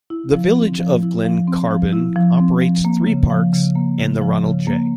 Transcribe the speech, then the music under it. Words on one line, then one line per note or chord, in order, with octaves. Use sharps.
The Village of Glen Carbon operates three parks and the Ronald J.
E4
F3
C4
F3
E4
F3
C4
F3
E4
F3
C4
F3
A#3
C#3
F3
C#3
A#3
C#3
F3
C#3
A#3